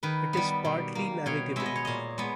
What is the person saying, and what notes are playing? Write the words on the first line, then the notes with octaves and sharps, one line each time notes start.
It is partly navigable.
D#3 B4
G3 B3
B2
A#3
B2 C#5
G#3 B3 E5
D#5
C#5
A#2 D#5
G#3 B3